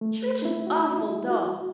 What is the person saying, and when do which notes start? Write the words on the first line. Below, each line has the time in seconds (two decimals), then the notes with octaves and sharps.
Church is awful dull.
0.01 A3
0.45 E4
0.67 F#4
0.99 E4
1.30 F#4